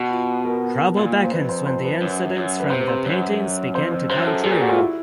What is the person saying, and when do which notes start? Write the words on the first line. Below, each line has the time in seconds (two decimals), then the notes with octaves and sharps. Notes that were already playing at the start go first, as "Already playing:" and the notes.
Trouble beckons when the incidents from the paintings begin to come true.
Already playing: B2 F#4
0.10 F4
0.45 A#4
0.97 A#2
1.24 C5
1.32 F2 B4
1.49 C5
1.67 C5
1.84 B4
2.01 F#2
2.36 F#2
2.60 B4
2.70 C3 C5
2.81 B4
2.88 C5
3.05 F#2
3.74 F2 C5
3.92 C5
4.09 F#2 C5
4.27 A4
4.43 A#2 G#4
4.52 G4
4.61 F#4
4.70 F4
4.78 E4